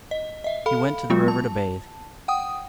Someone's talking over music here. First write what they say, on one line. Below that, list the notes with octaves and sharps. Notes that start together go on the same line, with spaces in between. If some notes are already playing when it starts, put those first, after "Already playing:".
He went to the river to bathe.
D#5
D#5 E5
A4 F5 B5
F#3 G#3 B3 F4
A5
F#5 G5 D#6